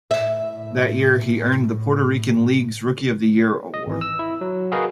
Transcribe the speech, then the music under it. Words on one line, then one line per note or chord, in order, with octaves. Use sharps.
That year he earned the Puerto Rican League's "Rookie of the Year Award".
A2 E5
A2
D#5
G#1 E3
E6
E4
F#3
F#4 G#4 A#4 B4 D#5 F5